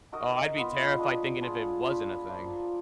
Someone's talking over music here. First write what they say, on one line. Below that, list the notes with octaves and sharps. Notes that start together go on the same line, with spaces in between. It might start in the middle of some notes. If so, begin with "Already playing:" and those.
Oh, I'd be terrified thinking if it wasn't a thing.
D#4 F#4 A#4 D#5
B3 F4 B4 D#5
D4 G#4 D#5
D4 F4 G#4
D4 F4 B4
F3 A#3 D4 F4